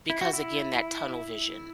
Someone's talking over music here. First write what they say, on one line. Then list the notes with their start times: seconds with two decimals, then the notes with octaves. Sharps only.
Because again, that tunnel vision,
0.10 E4
0.21 F#4
0.33 E4